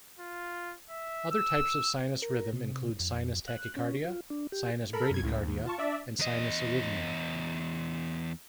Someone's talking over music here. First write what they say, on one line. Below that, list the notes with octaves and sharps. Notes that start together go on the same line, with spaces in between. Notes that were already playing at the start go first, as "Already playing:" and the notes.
Other types of sinus rhythm include sinus tachycardia, sinus bradycardia and sinus arrhythmia.
F4
E5
E6
A#4
C3
F2
F#6
C#4
F4
D4
G4
A4 A#4 B5
F#2 G#6
C#2 A2
D#2
F4 A5 C#6
D4 D5 E5
E2 D#5